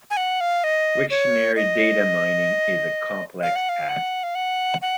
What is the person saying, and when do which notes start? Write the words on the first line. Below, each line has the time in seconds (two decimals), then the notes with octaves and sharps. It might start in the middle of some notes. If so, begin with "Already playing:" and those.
Wiktionary data mining is a complex task.
0.10 G#5
0.17 F#5
0.41 F5
0.64 D#5
1.10 C#5
1.56 D#5
3.42 F5
3.56 F#5
3.69 F5
3.89 F#5
4.23 F5
4.35 F#5
4.82 F#5